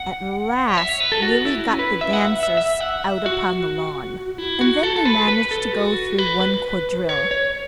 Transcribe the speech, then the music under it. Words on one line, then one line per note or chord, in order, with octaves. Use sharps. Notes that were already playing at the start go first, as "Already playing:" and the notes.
At last Lily got the dancers out upon the lawn, and then they managed to go through one quadrille.
Already playing: F#5
C#5
E5
C#5
B4
A4
F#4
E4
C#4
B4
E5
F#5
E5
E5
E5
F#5
E5
F#4
E4
F#4
A4
A4
B4
B4
A4
F#4
B4
B4
C#5
C#5